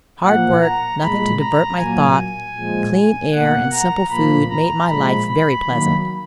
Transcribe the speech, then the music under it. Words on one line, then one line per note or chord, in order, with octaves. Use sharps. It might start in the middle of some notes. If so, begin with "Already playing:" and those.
Hard work, nothing to divert my thought, clear air and simple food made my life very pleasant.
A#2 F3 A#3 F#5
A#5
A#2 G#3 B5
A#5
A#2 F#3 A#3 G#5
A#2 F3 G#3
G#5
B2 A#3 F#5
A#5
A#2 F3 A#3 B5
A#5
A#2 F3 G#3 B5
B5
D#3 F#3 A#3